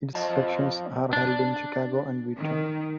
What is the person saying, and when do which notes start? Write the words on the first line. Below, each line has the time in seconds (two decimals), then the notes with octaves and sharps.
Its sessions are held in Chicago and Wheaton.
0.15 F2 F3 D#5 A5
1.13 D4
2.37 D#3